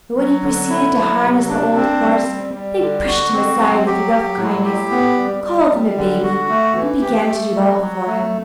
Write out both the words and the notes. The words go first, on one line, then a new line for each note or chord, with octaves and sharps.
But when he proceeded to harness the old horse, they pushed him aside with rough kindness, called him a baby, and began to do it all for him.
F#3
D3
E4
F#3
C3
D4
C4
G3
G3
G3
D3
F#4
C4
F#3
G4
F#3
A2
G4
B3
G3
G3
G3
D3
F#4
A3
E3
G4
A3
F#3
F#3
A3